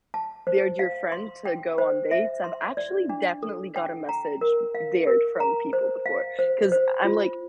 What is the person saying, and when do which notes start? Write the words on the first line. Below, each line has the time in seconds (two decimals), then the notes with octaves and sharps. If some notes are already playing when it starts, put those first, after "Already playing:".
dared your friend to go on dates, I've actually definitely got a message dared from people before. 'Cause I I'm like,
0.14 A5
0.47 C5
0.79 F5
1.12 C6
1.45 G5
1.78 C5
2.11 E5
2.44 C6
2.77 D5
3.09 D4
3.43 A4
3.76 G5
4.09 A#5
4.41 A#4
4.75 F5
5.07 A#4
5.40 A#5
5.73 C5
6.06 F5
6.39 C5
6.72 C5
7.05 F4